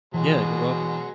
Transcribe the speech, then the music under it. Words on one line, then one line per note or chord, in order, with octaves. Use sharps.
Yeah, you're welcome.
B2 E3 F#3 G#3